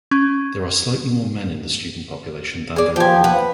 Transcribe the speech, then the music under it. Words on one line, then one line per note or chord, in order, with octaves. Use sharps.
There are slightly more men in the student population than there are women.
C#4
G#4 D5
F3 G4 G#5
B4 F#5